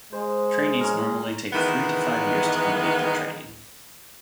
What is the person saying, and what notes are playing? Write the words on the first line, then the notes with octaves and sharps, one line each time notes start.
Trainees normally take three to five years to complete their training.
G#3 C5
C#4 A#4
D#3 E3 G#3 B3